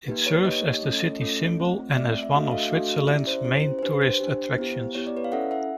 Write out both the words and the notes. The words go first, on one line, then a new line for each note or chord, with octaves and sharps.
It serves as the city's symbol and as one of Switzerland's main tourist attractions.
A#3 D#4 G4 B4
B4 C#5
A#3 D#4 G4 C#5 D#5
A3 C#4 F4 A4
A3 C#4 F4 A4
A3 C4 F4
A3 C4 F4 D5 E5
E5
A3 D4 F#4 A4 D#5 F5
E5
D#5 F5
A3 D4 F#4 A4
C#4 E4 G4 D5 E5
C5
C#4 E4 G4 C5
C5
C5
D4 G4 B4
C5
D4 G4
B3 E4 G4
B3 E4 G4 C#5
D5
B4 C#5
F5
C#4 E4 A4 E5 F#5
E5 F#5